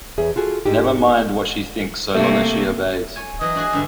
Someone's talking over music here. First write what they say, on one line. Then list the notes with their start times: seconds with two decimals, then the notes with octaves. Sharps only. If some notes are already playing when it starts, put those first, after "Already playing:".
Never mind what she thinks so long as she obeys.
0.18 E2 G#4 C#5 E5
0.36 F4 F#4 G#4 A4
0.66 G#2 G#3 D4 D#4 G4
2.15 C3 A3 A#3
3.16 C#5 G#5
3.41 E3 F#3 D#5
3.55 D4 F#4 G#4
3.73 G2 D3 E5